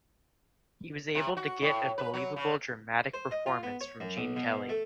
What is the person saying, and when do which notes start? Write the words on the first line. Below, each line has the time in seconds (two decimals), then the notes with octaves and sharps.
He was able to get a believable, dramatic performance from Gene Kelly.
1.15 C3
1.37 F#4
1.62 A2
1.98 B4
2.14 F#3
2.36 C#3
3.14 C5
3.31 D#5
3.46 F4
3.63 B3
3.81 C#5
4.00 F#2
4.17 B1
4.36 B2
4.69 A3